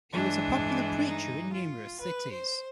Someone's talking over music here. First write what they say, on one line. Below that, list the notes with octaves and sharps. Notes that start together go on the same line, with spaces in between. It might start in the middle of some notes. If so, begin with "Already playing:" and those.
He was a popular preacher in numerous cities.
G2 E3 G#3 D4
D#4
F4
B4
C5